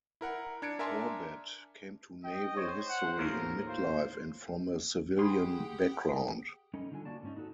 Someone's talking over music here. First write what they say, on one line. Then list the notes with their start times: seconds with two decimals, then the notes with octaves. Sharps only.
Corbett came to naval history in mid-life and from a civilian background.
0.21 E4 A#4 F#5
0.62 D4 G#6 C#7 D7
0.79 D4 A#4 E5 G#5 A5 C6
2.25 D#5 G5
2.57 C5 C#5
2.89 F#5
3.18 D#2 A2 F3 A#4
3.68 F4 C5
5.19 G4 G#4 F#5 G5 B5 C6 D#6
6.74 G3 C#4 D#4 A4
6.92 D3 D4 F4 A4 G#5
7.05 A#3 F#4 D5 A5
7.23 G#2 C#4 D#4
7.36 D#4 F#4 A4